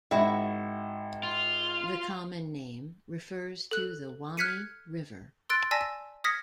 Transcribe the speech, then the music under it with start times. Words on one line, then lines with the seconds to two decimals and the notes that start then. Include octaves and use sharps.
The common name refers to the Wami River.
0.11 G#1 E4 F#4
1.23 F4
3.71 A4 F#6
4.37 F6 F#6 G#6 B6 C#7 D#7
5.49 C6 E6 F#6 A6 D7
5.71 D5 G#5 A5 E6 A#6 B6
6.24 D#6 F6 G#6 A#6 B6 C#7